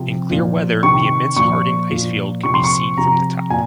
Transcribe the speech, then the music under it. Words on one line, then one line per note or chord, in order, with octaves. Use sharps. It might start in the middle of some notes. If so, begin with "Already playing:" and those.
In clear weather the immense Harding Icefield can be seen from the top.
Already playing: C3 F3
A#2 F3
C3 D#3 C#6
A#2 F3 C#6
A#2 F3
C3 F3 C#6
C6
C#6
C3 F3 A#5
A#2 G#5